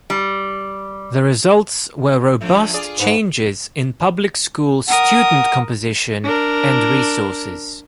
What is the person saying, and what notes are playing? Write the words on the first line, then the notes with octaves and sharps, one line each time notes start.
The results were robust changes in public school student composition and resources.
G3
D3 F3 A3
F4 G#4 D5
G#2 B4
A#4 F#5 D#6
D4 A#4